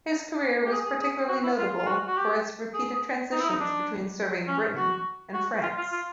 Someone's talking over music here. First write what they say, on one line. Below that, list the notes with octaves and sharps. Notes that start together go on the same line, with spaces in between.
His career was particularly notable for its repeated transitions between serving Britain and France.
G4
G#4
G#4
G#4
F#4
E4
F4
F4
F#4
F#4
G4
G#4
D#4
E4
D#4
D4
C#4
F#4
F#4
F4
F4
F4